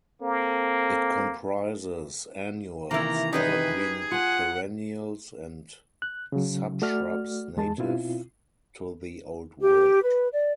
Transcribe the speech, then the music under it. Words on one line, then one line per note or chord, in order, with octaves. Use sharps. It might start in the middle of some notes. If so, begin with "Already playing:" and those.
It comprises annuals, evergreen perennials and subshrubs native to the Old World.
A#3 C4 A4
C3 D#3 E3 A#3 E4 A#5
D#4 G4 G#4 B4 D#5
F4 F#5 G#5
F#6
C#3 F#3
A3 F#4 D5 F6
E2 G#3 A5
B2 C4 E4 F4
G4
B4
D5